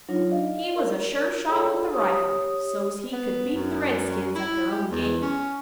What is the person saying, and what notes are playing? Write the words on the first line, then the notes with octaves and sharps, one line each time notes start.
He was a sure shot with the rifle so's he could beat the redskins at their own game.
F#3 D4 D#4 F4 C#5
D5 D#5 F5
A#4
F4 G#4 A4 C#5 D5 G5
D5
G4 C#5 D#6
B3
F#2
E4
G4
E2
C#4